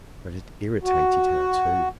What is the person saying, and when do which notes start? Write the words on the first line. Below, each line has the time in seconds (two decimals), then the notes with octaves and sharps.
But it irritated her too.
0.83 F#4